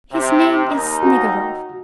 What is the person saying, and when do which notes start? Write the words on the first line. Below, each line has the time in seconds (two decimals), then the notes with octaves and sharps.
His name is Snegiryov.
0.12 C3
0.68 D#2 D#4
1.03 F#4